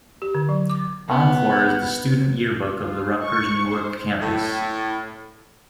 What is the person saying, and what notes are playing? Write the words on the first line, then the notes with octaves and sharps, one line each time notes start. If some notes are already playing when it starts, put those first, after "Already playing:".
Encore is the student yearbook of the Rutgers Newark Campus.
G4
D3
F#3
D6
B3
F4
C#6
C5
A2